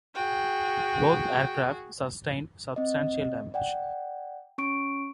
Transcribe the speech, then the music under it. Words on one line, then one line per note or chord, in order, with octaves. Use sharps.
Both aircraft sustained substantial damage.
F#4 G#4 G5
C4 D#5
D5 F#5 G5
C#4 C#6 D7